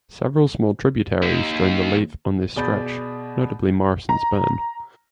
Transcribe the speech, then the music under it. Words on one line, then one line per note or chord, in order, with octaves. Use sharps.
Several small tributaries join the Leith on this stretch, notably Morrison's Burn.
D#2
B2 G#4 D5 B5 G6 A6
A#5